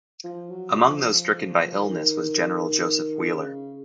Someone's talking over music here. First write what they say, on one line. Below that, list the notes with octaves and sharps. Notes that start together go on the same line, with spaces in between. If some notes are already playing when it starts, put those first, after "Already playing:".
Among those stricken by illness was General Joseph Wheeler.
F3
F#3
F3
F3
D#3
C#3